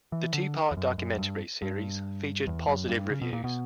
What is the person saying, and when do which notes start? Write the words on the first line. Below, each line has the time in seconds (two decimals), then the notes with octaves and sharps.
The two part documentary series received positive reviews.
0.12 E3
0.34 D3
0.71 E2
0.77 F#2
0.98 F#2
1.18 G2
1.62 G2
2.47 E2
2.67 F#2
2.89 G2
3.10 C#3
3.22 B2
3.33 A#2
3.44 B2